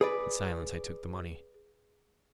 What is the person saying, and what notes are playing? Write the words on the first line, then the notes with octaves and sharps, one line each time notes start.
In silence I took the money.
G#4 B4 D5